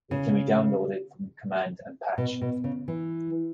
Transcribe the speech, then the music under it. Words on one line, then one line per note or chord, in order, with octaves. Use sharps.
It can be downloaded from Command and Patch.
C#3
B2
B2
C#3
E3